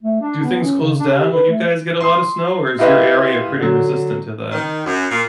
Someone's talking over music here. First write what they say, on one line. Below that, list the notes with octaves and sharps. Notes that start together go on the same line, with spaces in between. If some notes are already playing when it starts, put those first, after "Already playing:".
do things close down when you guys get a lotta snow, or is your area pretty resistant to that?
A3
D4
B3
C#4
C#3
D4
C3
B4
A3
C6 D#6
E4 F4 G4 B4 D#5 E5
D3 F#3
D#3
F#2
A#2